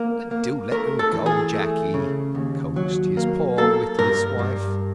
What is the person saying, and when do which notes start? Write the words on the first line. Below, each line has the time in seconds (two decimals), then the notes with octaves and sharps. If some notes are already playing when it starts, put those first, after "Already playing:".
"But do let her go, Jacky," coaxed his poor witless wife.
Already playing: A#3
0.31 A#3
0.72 A3 A#4
0.99 A4
1.12 E3
1.26 G#4
1.53 A3
1.94 C#3
2.35 D#2
2.76 F#3
3.17 A#3
3.58 A#3 A4
3.99 G2 A#4
4.39 G2